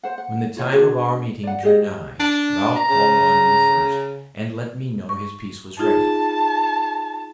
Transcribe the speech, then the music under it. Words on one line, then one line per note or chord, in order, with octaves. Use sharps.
When the time of our meeting drew nigh, Ralph called on me first, and let me know his piece was ready.
C5 F#5
F#5
F4 C#5 F#5 G5
D4 F#4 G#4
D5 F#5
G4 G#4 D#5
D4
A#5
C#3
C#6
D#4 F4 G#4 A5